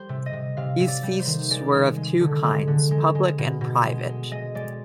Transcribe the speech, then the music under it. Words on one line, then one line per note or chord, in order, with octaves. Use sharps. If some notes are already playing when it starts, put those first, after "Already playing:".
These feasts were of two kinds, "public" and "private".
Already playing: G3 C5
C3
D#5
C3
C3 F5
C3
D5
G3
C5
D#3
G#3 D5
G#3
G#3
D3
G#3
D3
G#3
G#3
B2
B2
G#3
G#3
G#3 D#5
G#3 D5